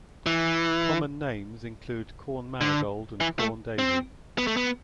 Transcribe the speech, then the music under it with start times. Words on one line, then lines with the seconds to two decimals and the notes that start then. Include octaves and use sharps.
Common names include corn marigold and corn daisy.
0.26 E3
2.61 D3
3.20 E3
3.39 A3
3.79 C4
4.38 B3
4.47 A3
4.57 B3